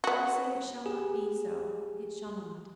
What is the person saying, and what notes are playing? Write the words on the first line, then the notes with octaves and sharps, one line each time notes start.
If you say it shall not be so, it shall not.
B3 F#4
G4 G#4